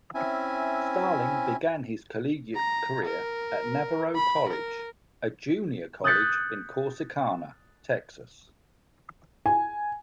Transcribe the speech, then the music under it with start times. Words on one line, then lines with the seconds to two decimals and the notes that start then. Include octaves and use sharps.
Starling began his collegiate career at Navarro College, a junior college in Corsicana, Texas.
0.15 C4 C#4 E4 E5 G#5
2.56 A#5
3.05 A#4
4.15 B5
4.49 A#4
6.04 D#6 F#6 G6 A6 B6 C#7
9.46 G#5